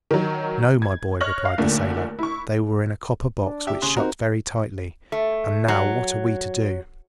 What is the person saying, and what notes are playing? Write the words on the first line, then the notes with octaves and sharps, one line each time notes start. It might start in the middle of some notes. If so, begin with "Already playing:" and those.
"No, my boy," replied the sailor; "they were in a copper box which shut very tightly; and now what are we to do?"
D#3 F#3
G#6
C#5 C#6 F6 F#6 A#6 F#7
F5
D#2 A#2 D3 A3
E4 C#6
D4
G4 E5
C#3 C6 D#6
C4 D#4 F#4 A#4 C5
A3
F#3